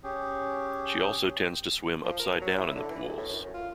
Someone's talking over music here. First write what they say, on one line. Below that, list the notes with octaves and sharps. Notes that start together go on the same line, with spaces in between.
She also tends to swim upside down in the pools.
C#4 G4 G#4
F3
A#4
F#3
E4
D3
E3
D2
A2
F#2
F4